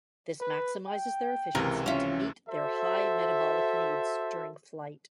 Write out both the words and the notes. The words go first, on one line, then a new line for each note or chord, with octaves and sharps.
This maximizes their efficiency to meet their high metabolic needs during flight.
B4
G5
C#2 C3 E3 A#4
C#4 F4 E5
F#4 A4 C5 E5